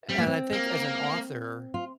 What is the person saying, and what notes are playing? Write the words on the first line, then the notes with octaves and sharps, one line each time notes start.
and I think as an author
G3 C4
A#3
C4
A#3
F4